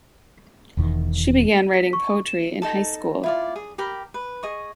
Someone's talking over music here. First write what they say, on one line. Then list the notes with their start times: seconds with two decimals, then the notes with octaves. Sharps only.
She began writing poetry in high school.
0.77 E1 E2 D#3
1.74 B6
1.93 C#6
2.28 E7
2.62 D#4 A4 A5
3.23 E4 F4 D5
3.56 G#4
3.78 G4 A#4 G5 B5
4.14 B4
4.43 G#4 D#5 C#6